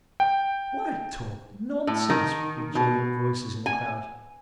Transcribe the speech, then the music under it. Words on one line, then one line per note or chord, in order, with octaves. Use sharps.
"Why talk nonsense?" rejoined voices in the crowd.
G5
A2
D#3
B2
G#5